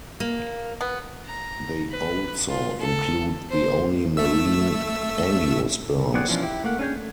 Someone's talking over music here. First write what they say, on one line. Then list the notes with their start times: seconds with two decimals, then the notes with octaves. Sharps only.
They also include the only marine angiosperms.
0.20 A#3
0.81 B3
1.25 A#5
1.90 B4
2.49 F4
2.80 A4
3.50 C5
4.17 A3 E5 E6
6.14 B3 C4 G#4 D5 F#5
6.28 E3 F3 C#4 D4 F4
6.43 E4 G4
6.64 A3 A#3 F#5
6.79 C#4 D4 G#4 C#5 G6
6.95 A3